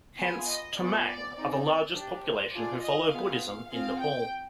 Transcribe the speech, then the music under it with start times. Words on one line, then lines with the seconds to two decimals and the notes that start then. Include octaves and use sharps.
Hence, Tamang are the largest population who follow Buddhism in Nepal.
0.20 B3 F4 G#4 G#5
0.50 D#5
0.78 B3 F4 G#4 D5
1.07 D5
1.36 C4 D#4 G#4 D5
1.95 D4 G4
2.24 C5
2.53 D4 F4 G#4 D5
2.83 D#5
3.12 B3 F4 G#4 F5
3.70 C4 F4 G#4 F5
4.00 G5